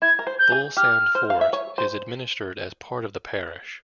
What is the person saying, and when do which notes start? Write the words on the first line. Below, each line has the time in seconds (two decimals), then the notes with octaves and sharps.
Bull Sand Fort is administered as part of the parish.
0.02 E4 G#6
0.19 A#4
0.27 C5
0.39 G6
0.52 G#4
0.77 G4 F6
1.15 C5
1.30 F5
1.41 E5
1.53 C#5
1.78 C5